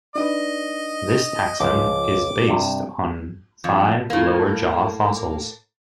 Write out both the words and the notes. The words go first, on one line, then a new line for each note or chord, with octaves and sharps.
This taxon is based on five lower jaw fossils.
D4 D#4 B4 D#5
C#2 F3 C#4 D6
G2 C3
F2
A2 A#3